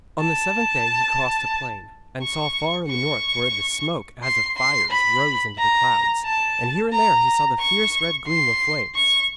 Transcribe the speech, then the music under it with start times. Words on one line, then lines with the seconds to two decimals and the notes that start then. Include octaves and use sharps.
On the seventh day he crossed a plain, and saw far in the north where the smoke as of fires rose into the clouds, and here and there he saw the fierce red gleam of flames.
0.20 A5
2.22 C#6
2.88 C#6
4.23 C6
4.57 C6
4.91 B5
5.58 A#5
6.25 A5
6.93 A#5
7.60 C#6
8.27 C6
8.95 C#6